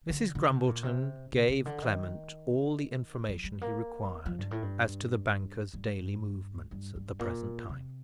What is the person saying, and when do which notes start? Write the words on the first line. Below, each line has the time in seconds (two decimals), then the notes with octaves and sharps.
Mrs. Grumbleton gave Clement all the information he required as to the banker's daily movements at the present time.
0.10 D3
0.35 D3
0.51 C3
0.67 A#2
0.83 C3
1.32 C3
1.49 C3
1.66 D3
1.82 D#3
3.29 F3
3.44 G3
3.61 A#3
4.26 F3
4.38 G2
4.51 A2
4.62 G2
5.74 G2
6.71 G2
6.96 G2
7.19 A#2
7.69 C3